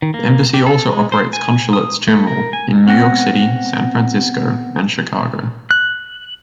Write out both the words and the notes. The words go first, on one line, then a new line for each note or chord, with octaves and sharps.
The embassy also operates Consulates-General in New York City, San Francisco, and Chicago.
D#3
A#3
G4
A4
G#3
C5
G#5
D#6
A3
A#4
G#5
B3 C4 F#5 A#6
F#6